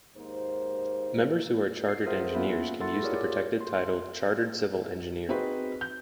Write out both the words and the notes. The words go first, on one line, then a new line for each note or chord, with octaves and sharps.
Members who are Chartered Engineers can use the protected title Chartered Civil Engineer.
D#2 G#2 A#3 D#4 C5
C7
F4 G#4 A#4 C5 E5 F#5
A#3 B3 C#4 F4 E5 B5
E4 A4 E5 F#5 C6 A6
F4 G4 G#4 A#4 C#5 D5
C6
C4 D#4 F#4 G#4 B4 C5
G6